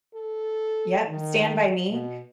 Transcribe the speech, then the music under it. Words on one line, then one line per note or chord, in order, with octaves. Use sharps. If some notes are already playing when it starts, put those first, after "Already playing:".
Yep, Stand By Me,
A4
D#3
B2